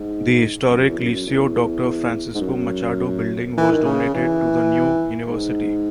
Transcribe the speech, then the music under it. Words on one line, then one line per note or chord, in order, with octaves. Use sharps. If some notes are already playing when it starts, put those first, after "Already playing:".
The historic Liceu Doctor Francisco Machado building was donated to the new university.
Already playing: G#2
F#2
E2
F#2
E2
G#2
F#2
E3
D#3
C#3
E3
G#2